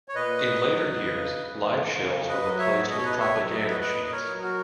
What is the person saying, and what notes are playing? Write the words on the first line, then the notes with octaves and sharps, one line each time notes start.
In later years, live shells were replaced with propaganda sheets.
C#5
A#2 B4 D#5
F#3
C#3
E3
C#3
B4 D#5
F#3
C#5 E5
B2 D#5
C#5
B4 D#5
C#5 E5
F#3
D#5
E5
B4 D#5
A#2 B4 D#5
D#5
A#4 C#5
F#3
F#4 A#4